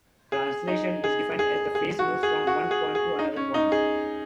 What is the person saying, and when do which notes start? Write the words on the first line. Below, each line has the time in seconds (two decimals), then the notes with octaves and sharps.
Translation is defined as the face moves from one point to another point.
0.32 G#4
0.68 D#4
1.04 G#4
1.39 G#4
1.75 G#4
1.99 F#4
2.23 G#4
2.47 F#4
2.71 G#4
2.95 G#4
3.19 D#4
3.36 C#4
3.54 D#4
3.72 G#4